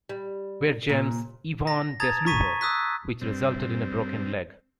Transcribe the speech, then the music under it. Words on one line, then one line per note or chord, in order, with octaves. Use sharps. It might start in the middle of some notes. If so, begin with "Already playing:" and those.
Waregem's Ivan Desloover, which resulted in a broken leg.
G3
A#2
A#6
A5 A#5 D#6 G#6 A6
A#5 C#6 G#6 B6 D#7
D#6 E6 F#6 B6
G2 C4